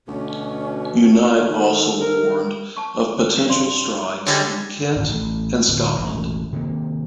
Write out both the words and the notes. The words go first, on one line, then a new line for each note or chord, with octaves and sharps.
Unite also warned of potential strikes in Kent and Scotland.
D2 B2 C#4
D#3 A4
D#3 A#4
A5 C#6
C5
G2
D5 C6
D3 G3 G#3 C#5
D1 G#1
A1
D1
E1 A1
C3 D#3 F#3 A#3